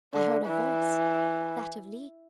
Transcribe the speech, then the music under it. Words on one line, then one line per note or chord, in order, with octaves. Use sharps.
I heard a voice, that of Leo.
D3
E3